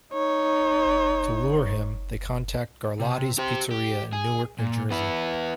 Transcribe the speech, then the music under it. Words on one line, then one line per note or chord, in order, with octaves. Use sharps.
To lure him, they contact Garlotti's Pizzeria in Newark, New Jersey.
D#4 C#5
C3
G4 C5
G4
G#4
A#2
B3 E4